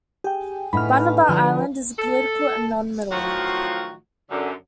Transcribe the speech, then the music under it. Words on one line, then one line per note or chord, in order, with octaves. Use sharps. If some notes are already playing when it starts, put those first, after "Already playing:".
Banaba Island is a political anomaly.
G4 G#4 G5
A2 D3 E3 D#4 B5 F6
D3 F3 B4 D5
A4
A2 D#3 F3 F#3 F4 F#4
F#2 D3